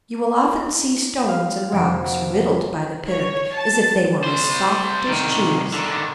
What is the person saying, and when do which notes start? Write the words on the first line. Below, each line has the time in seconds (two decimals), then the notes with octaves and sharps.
You will often see stones and rocks riddled by the Piddock as if they were as soft as cheese.
0.43 E4
1.28 G4 F5 G5
1.72 F1 A#3 F#4 F#5 D7
2.45 F4 F#4
3.08 C#5
3.54 A5
4.24 G3 C5
5.08 C2 D#3
5.74 D3 D#3